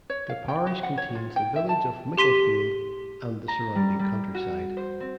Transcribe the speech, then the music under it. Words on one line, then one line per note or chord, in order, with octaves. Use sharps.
The parish contains the village of Micklefield and the surrounding countryside.
C#5
F5
G5
F#4
F#5
C#5
F4
G5
E5
A5
G4 C6 B6 D#7
A#5
G3
G3
F#4
C5
C4